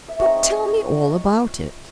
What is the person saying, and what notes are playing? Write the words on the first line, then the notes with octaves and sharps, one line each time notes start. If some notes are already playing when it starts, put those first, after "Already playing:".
But tell me all about it!
E5
F3 G#3 C4 D#4 C#5 D#5